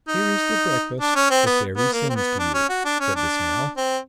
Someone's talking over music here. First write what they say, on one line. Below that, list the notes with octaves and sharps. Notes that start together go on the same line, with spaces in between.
"Here is the breakfast the Fairy sends to you," said the Snail.
D#4
D4
C#4
C4
B3
B3
A#3
C4
B3
D4
C#4
F#4
D4
C#4
D4
C4